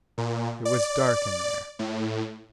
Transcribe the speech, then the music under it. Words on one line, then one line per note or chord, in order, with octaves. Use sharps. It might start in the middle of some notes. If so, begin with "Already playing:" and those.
It was dark in there.
A#2
D5
A2